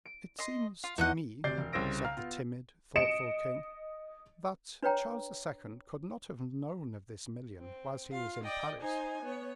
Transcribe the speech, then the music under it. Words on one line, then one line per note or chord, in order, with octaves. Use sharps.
"It seems to me," said the timid, thoughtful king, "that Charles II. could not have known of this million whilst he was in Paris."
D7
D#5 C6
F4
E2 D#4 D#5 F#5
D2 C3 D5 G6 C7
E1
C2 C#3 C5 E6 A#6 D7
F5 A#5 F6
B3 F4
D#5 C#7 D7 E7
D4 B4 C#5 G5 A#5
C4
F4 F5
D5 D#5 G5
D#4 C5 G#5
B3 C#5